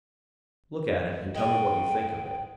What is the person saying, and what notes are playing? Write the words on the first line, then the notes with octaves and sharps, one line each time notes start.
"Look at it, and tell me what you think of it."
G#2 G#3 G5 G#5